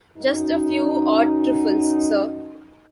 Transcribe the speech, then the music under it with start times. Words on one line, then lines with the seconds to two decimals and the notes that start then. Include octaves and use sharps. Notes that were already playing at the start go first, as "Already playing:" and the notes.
Just a few odd trifles, sir.
0.18 F#2 D#4